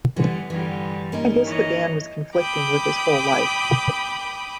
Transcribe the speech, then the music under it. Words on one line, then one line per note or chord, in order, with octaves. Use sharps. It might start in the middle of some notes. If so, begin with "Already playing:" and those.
I guess the band was conflicting with his whole life.
D3 E3 G3 B3
G2 D3 E3 G3
A#3 C#4 D#4
E3 C#5 D#5
G5 B5 D6 D#6